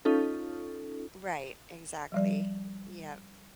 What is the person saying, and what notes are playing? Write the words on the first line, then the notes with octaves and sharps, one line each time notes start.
Right, exactly, yep,
C#4 D#4 F4 A4
F3 G3 D5